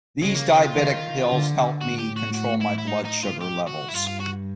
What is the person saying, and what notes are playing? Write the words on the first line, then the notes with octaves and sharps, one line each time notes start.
These diabetic pills help me control my blood sugar levels.
C#3 G#3
A#3
C4
F4
D#3
D3
A2 F#4
G4
F#4
F#4
E4
E4
D#4
D#4
F4
G4
F#4
E4
G2 F4
F4
F#4